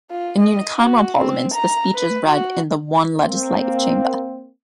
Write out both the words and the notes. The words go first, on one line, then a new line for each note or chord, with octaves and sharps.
In unicameral parliaments, the speech is read in the one legislative chamber.
F4
D#5
F#4
C4
A#5
B4
F#4
A#3 C4